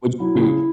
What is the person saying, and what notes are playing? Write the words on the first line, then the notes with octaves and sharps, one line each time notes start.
Would you
F#3 E4
C#3